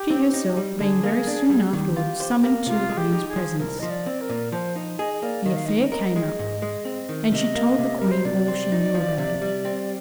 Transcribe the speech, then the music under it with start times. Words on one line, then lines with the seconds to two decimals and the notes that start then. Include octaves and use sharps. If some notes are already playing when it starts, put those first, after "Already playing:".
She herself being very soon afterwards summoned to the Queen's presence, the affair came up, and she told the Queen all she knew about it.
Already playing: G4
0.10 C4
0.34 D#4
0.57 G3
0.80 D3 G#4
1.03 A#3
1.27 D4
1.50 G3
1.73 D#3 G4
1.97 F4
2.20 C5
2.43 A#3
2.66 C3 F4
2.90 G#3
2.97 G4
3.13 D#4
3.29 G#4
3.36 F3
3.59 C2 A#4
3.79 F3 D#5
3.90 D5
4.06 C4
4.21 A#4
4.29 A#2
4.52 F3 C5
4.76 D#4
4.99 G#4 D#5
5.14 D#5
5.22 A#3 D5
5.45 D#3 D#5
5.56 F5
5.66 D#4 D#5
5.92 A#4
6.16 G#3
6.39 G#2
6.62 G#3
6.85 C4
7.09 D#3
7.32 C3 D#5
7.55 A#3
7.78 C3
7.99 G3 A#4
8.12 C5
8.25 C3 D5
8.48 C4
8.72 D#4
8.95 F3
9.18 C3
9.42 G3
9.65 C4